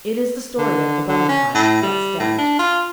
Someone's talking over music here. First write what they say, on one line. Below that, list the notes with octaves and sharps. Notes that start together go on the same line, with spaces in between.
It is the story of the Butterfly that Stamped.
D3
D3
C#4
A2
G3
A2
D4
F4